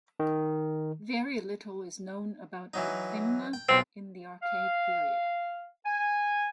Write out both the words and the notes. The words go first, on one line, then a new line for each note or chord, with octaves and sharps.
Very little is known about Methymna in the Archaic period.
D#3
E3 F#3 D#4
G5
B1 C4 F4
F5
G#5